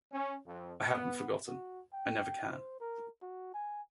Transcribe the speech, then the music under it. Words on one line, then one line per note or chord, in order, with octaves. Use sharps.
I haven't forgotten, I never can.
C#4
F2
B3
F#4
G5
C5
A#4
F#4
G#5